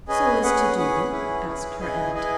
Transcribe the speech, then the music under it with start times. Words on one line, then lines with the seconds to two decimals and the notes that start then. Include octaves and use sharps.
"So as to do them?" asked her aunt.
0.08 C#4 G#4 B4 D#5 G#5
0.43 C#4 G#4 B4 F#5
0.77 C#4 G#4 B4 F#5
1.11 C#4 E4 G#4 B4
1.45 C#4 E4 G#4 B4
1.80 E4 G#4 B4 D#5 G#5
2.14 E4 G#4 B4 D#5 G#5